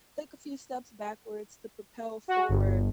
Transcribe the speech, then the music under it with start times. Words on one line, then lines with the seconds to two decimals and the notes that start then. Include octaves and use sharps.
take a few steps backwards to propel forward
2.28 F#4
2.49 G1